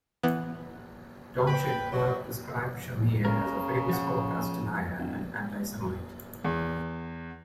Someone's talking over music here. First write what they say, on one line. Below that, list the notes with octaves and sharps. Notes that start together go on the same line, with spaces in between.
Domscheit-Berg described Shamir as a famous Holocaust denier and anti-Semite.
E3 B3
B4 G5
C3 F#3 F#4 D5 F#5
C#3 A#4
F3 F#5
D1
E2